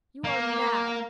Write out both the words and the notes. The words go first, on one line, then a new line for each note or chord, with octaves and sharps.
'You are mad!
A#3